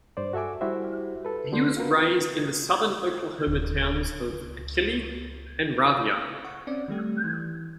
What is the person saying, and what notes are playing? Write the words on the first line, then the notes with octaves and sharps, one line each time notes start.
He was raised in the southern Oklahoma towns of Achille and Ravia.
G2 C5 D5
F#4 A4 E5 G#5 D6
G3 E4 F#4 G4 C5 E5
A4 B4
D3 B3 D4 C6
F4 F#4 A#4 B4
D1
C#2
F#5 C#6
C4 C#4 D5
D#3 G3 A3 G4
E3